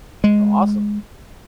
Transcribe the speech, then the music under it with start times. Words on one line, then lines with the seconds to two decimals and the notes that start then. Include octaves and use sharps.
Oh awesome.
0.24 G#3